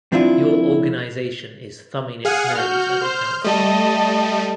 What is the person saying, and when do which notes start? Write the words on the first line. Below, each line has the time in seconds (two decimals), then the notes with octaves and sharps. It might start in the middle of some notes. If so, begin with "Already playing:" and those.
Your organization is thumbing its nose at the council.
0.12 F3 C4 D4 E4 F4
2.25 G#4 F5 F#5 G#5
2.55 F#4 F6 G6
3.04 C5
3.44 G3 A3 D#5 A5